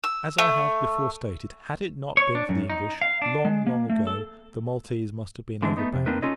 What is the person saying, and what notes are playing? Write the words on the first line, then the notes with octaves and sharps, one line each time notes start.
As I have before stated, had it not been for the English, long, long ago, the Maltese must have been overpowered.
E6
A3
C#5
D4
F#2
D#4
F5
D4
G#3
A#3
A3
A4
D3 E3 G#3 C4 D4
A3 B3 D#4
C3
A#3 C4 D4 D#4 A#4 B4
C#4 D#4 F4 A4 C#5 D#5